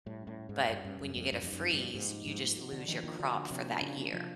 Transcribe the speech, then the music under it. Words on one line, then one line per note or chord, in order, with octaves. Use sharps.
But when you get a freeze, you just lose your crop for that year.
A2 G3
C#4
A2
G3
G#2 A#3
G2 G3
G2 C#4
F#2 G3
F2 A#3
F#2 G4
F2
D#4
F#2
F3
G2
A#3
G#2 G4
D#4
G#2 F3
A#3
F#4
D3 D4
D#3 F3
D#3 A#3
D3 F#4
D4
C3 F3
A#3
C#3 D4
A#3
C3 F3